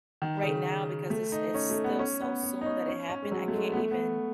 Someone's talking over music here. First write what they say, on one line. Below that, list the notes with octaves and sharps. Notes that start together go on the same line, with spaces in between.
right now, because it's it's still so soon that it happened, I can't even
D#3
C#3
A3
D#4
C#4
A3
B3
C#4
B3
B3
D#4
C#4
C#4
C#4
G#3
F#3
A3
G#3
B3
A3
B3